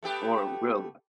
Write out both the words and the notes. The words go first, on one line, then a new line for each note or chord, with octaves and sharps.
or really
A3 B3 G4